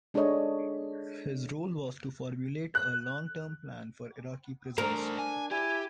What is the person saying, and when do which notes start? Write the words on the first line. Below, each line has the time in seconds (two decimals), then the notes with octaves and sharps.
His role was to formulate a long term plan for Iraqi prisons.
0.14 G#3 D4 G#4 A4 C#5 D#5
2.75 F#6
4.78 A3 D4 A#4 C5
5.19 G#5
5.51 E4 G4 G#5